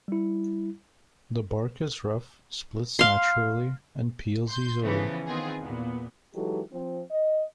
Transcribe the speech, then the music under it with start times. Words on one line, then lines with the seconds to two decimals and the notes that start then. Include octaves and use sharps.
The bark is rough, splits naturally, and peels easily.
0.08 G3 E4
2.99 F5 C6
4.50 C6 G6
4.83 C#3 E3 F3 A3 B3 C#4
5.27 D#3 B3 C4 F4 G#4
5.60 E2 A#2 B3
6.35 E3 F#3 G#3 D#4 G4 A4
6.72 F3 C4
7.12 D#5